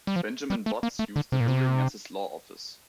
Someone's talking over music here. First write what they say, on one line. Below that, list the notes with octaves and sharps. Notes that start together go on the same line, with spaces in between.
Benjamin Botts used the building as his law office.
G3
F3
G3
A3
A#3
A3
D3
C3
A#2
C3